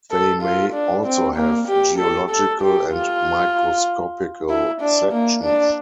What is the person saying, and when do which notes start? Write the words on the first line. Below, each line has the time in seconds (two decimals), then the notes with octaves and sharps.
They may also have geological and microscopical sections.
0.11 A4
0.42 F4
0.73 D4
1.05 C4
1.36 A#3
1.68 G4
1.99 A4
2.30 A4
2.62 G4
2.93 F4
4.49 E4
4.81 D4
5.13 A#3
5.44 D4